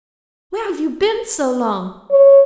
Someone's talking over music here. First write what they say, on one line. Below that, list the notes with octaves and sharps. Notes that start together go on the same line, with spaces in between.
Where have you been so long?
C#5